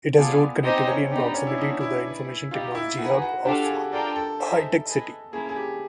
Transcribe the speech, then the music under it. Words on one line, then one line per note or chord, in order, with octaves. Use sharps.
It has road connectivity and proximity to the Information Technology hub of Hitech city.
B3 F4 A4 D5 F5 G#5
C4 D#4 G4 C5 D#5 G#5
C#4
B3 D4 D#4 G4
C#4
E4
B3 D4 D#4 F#4
E4
G#4 B4 D5
D#4 F4 G4 B4 D5
E4
D#4 F#4 G#4 B4
F#4
D4 F4 G4 A4 D5 F5
G#4
A4
D4 F4 A4 A#4 D5 G5
A4
D#4 G#4 C5 E5 A5
G#4 B4 D#5
A#3 C#4 E4 G#4
G#4
G4